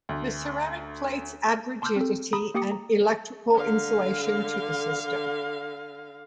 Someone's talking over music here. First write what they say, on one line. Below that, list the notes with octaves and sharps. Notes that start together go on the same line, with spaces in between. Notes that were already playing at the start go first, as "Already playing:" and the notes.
The ceramic plates add rigidity and electrical insulation to the system.
D2
A5 C6 D6 E6 F6 G6
C4 A4
A#5 B5 D#6
A#3 G4 G5 D6 D#6 C#7
A#5
D3 F5